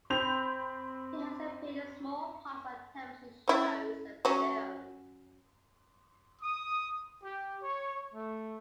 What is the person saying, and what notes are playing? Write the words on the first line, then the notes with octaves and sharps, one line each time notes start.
He has appeared in small parts on television shows and films.
C4 B5 C6 G6 F7
C#4 E4
F#3 C#4
D#6
G4
C#5
A3